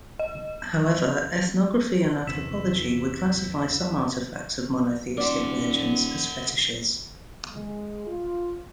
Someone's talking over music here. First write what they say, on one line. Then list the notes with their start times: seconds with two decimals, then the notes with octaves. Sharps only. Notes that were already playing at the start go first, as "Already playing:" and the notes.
However, ethnography and anthropology would classify some artifacts of monotheistic religions as fetishes.
0.19 D#5
2.27 E2 A2 C3 E6 B6 E7
5.17 D#1 A#4 D5 F#5 C6
7.53 G#3
8.07 F4